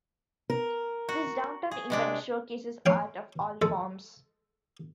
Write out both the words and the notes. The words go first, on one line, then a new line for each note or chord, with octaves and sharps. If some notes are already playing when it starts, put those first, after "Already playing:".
This downtown event showcases art of all forms.
A#4
F#4
G#4
C3 G#3 D4
C#4 F5 G5
G#3 A4